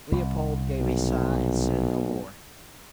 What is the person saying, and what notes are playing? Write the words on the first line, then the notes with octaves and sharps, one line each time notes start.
Leopold gave a sigh, and said no more.
C2
B1